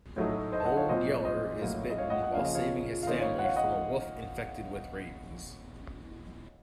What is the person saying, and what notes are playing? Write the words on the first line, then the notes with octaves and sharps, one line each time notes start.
Old Yeller is bitten while saving his family from a wolf infected with rabies.
A2 F#3 A3 D#4
C5 D#5
A5
D#5 F#5
C#5 F5
A#2 F#3 C4 C5 D#5
C5 D#5
A2 F#3 A#3
D#5
C#5 F5
D#5 F#5
F#5
C#3 F3 A#3 C#4 F5
D#5
C#5 F5
F5
D#3 A#3 C#4 C5 D#5
C#5 F5
F#5
C#5 F5
D#5 F#5